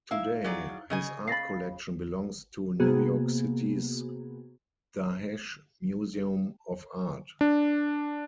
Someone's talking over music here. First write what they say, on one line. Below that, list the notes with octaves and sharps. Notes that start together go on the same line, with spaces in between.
Today, his art collection belongs to New York City's Dahesh Museum of Art.
D#4 E4 E5 F5
F#3 G#4 D5
C#3 D#5 G#5
F5 B5 A6 A#6 C7
C3 A#3 B3 F#4 G#4
D4